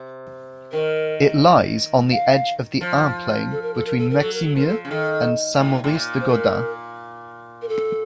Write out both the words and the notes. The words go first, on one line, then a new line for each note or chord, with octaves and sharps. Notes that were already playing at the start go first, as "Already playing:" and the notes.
It lies on the edge of the Ain plain between Meximieux and Saint-Maurice-de-Gourdans.
Already playing: C3
D#3 A#4
F5
F3
A4
A#4
A4
A#4
A4
A#4
F#3 A4
A#4
A4
F3 A#4
A4
C#3
D#3 A4
A2
A2
A#2
C5
A#2 A#4
A#4
A4